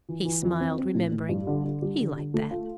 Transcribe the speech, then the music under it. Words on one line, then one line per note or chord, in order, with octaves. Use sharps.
He smiled, remembering--he liked that.
E3
E3
F2
C4
C4
A2
A2
G2
D3
D3
G3
D3
D3
A3
F4